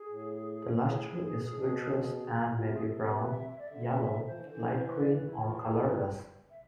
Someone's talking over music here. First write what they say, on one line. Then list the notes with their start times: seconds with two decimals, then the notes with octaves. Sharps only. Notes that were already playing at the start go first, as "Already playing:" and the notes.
The luster is vitreous and may be brown, yellow, light green or colorless.
Already playing: G#4
0.09 A2
0.74 F4
0.80 A2 G#4
1.09 G#2
1.38 B2
1.46 A2
1.53 B2
2.49 E4
2.54 C3 F4
2.76 B2 G#4
2.83 C3 A4
3.11 B4
3.31 E5
3.50 E5
3.59 D5
3.67 D3 E5
4.08 D3
4.27 F3 C5
4.34 E3
4.41 D3
4.49 E3
4.85 B4
5.00 D5
5.14 B4
5.28 E4
5.42 E3 F4
5.57 F3 G#4
5.72 A4
5.81 E3
5.86 B4
6.50 E5